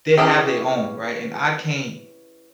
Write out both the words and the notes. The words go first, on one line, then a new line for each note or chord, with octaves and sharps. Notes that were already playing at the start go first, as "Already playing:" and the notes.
they have their own, right? And I can't
E3 F3 C#4 G4 G#4